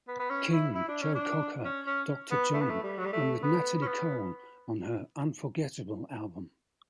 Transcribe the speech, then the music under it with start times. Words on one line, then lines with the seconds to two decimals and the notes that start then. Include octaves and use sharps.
King, Joe Cocker, Doctor John, and with Natalie Cole on her "Unforgettable" album.
0.08 B3
0.19 B3
0.30 C#4
0.52 E4
0.75 E4
0.88 D4
1.01 C#4
1.15 D4
1.64 C#4
1.87 C#4
2.31 B3
2.53 A3
2.61 B3
2.69 A3
2.83 G3
2.98 F#3
3.05 G3
3.13 A3
3.43 B3
3.82 C#4
3.87 B3